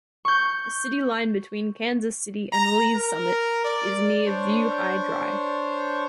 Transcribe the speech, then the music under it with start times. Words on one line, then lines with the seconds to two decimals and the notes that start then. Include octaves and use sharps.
The city line between Kansas City and Lee's Summit is near View High Drive.
0.25 C#6 G6
2.52 A#5
2.96 A#4
3.65 D5
4.26 D4 C5 C#5